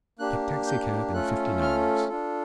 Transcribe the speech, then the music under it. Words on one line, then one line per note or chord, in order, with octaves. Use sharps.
Take taxicab and fifty dollars.
A#3 D4 G4 F#6
G6
A3 C#4 F4 A4 F#6
F6
D4 F4 A4